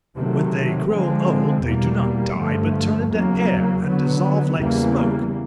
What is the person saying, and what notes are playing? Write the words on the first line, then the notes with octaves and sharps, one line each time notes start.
When they grow old they do not die, but turn into air, and dissolve like smoke!
C3 D#3 F#3 A3
D3 F3 G#3 C4
E2 B2 G3 A#3
G2 D3 F3 A3
E2 C#3 F#3 A#3
D3 F#3 B3
E2 C#3 E3 G3 A#3